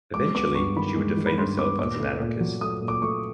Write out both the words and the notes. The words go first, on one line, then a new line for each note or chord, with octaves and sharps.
Eventually she would define herself as an anarchist.
G#3 D6
B3 D6
G2 C#6
D#3 B5
G#3
D#3
B5
G2 C6
B3 D6
A#2 D6
A3
A#2
F#3
A3 D#6
A#2
D6
A3 C#6